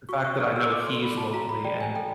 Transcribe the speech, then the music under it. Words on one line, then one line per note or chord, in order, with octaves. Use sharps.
the fact that I know he's lonely and
F#4 C#6
C#6
D5 F6
E6
A4 D6
C6
F#4 B5
A5
F#4 A#5
B5
D5 G5
G#5
A4 G5